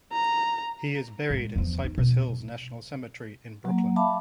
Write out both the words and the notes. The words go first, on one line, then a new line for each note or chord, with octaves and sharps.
He is buried in Cypress Hills National Cemetery in Brooklyn.
A#5
A2 G#3
E2 F3
D#4
B2
F#3 A#3
E5 F5 A5 B5 D6